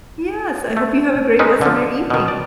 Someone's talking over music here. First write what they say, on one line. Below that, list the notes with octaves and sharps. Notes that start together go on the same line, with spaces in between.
Yes. I hope you have a great rest of your evening.
A3
G#3 C4 C#4 D#4 B4
D3 F3
B2 D#3
D5